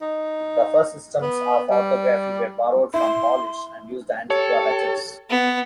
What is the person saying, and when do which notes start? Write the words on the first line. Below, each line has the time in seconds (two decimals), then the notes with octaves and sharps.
The first systems of orthography were borrowed from Polish and used Antiqua letters.
0.02 D#4
1.22 B3
1.70 G3
2.94 E4 C6
4.30 G4 A4 C#5
5.30 B3